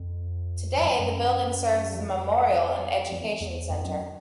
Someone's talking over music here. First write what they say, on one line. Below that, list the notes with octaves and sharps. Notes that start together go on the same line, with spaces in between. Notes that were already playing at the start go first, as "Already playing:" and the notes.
Today, the building serves as a memorial and education centre.
Already playing: F2
F#2
F2
F#2
F2
F2
F2
E2
E2
F2
F#2